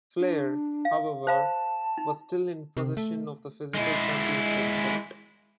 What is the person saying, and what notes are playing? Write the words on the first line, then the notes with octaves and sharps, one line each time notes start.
Flair, however, was still in possession of the physical championship belt.
D4
F5
C5 F5 A5 B5
D#4
C3
A3
G#3 E4